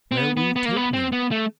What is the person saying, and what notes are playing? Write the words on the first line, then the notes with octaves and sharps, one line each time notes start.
"Where will you take me?"
C4
B3
B3
B3
A#3
B3
C4
B3
A3